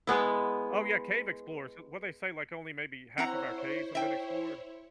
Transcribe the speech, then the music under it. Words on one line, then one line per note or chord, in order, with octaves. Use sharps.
Oh, yeah, cave explorers! Who what'd they say, like, only maybe half of our caves have been explored?
G#3 B3 E4
C4 E4 C5 C#5 F#5 A#5
E5 G5